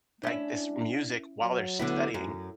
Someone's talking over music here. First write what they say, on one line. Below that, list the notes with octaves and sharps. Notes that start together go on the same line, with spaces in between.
like, this music while they're studying.
C#4 D4 E4
F#3
D3 B3 E4
F#2